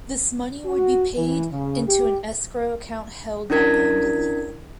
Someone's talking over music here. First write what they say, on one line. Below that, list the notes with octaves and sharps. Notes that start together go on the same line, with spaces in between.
This money would be paid into an escrow account held by Lambda Legal.
F#4
E3
C#3
G4
C#4 D4 E4 A#4 G#6 B6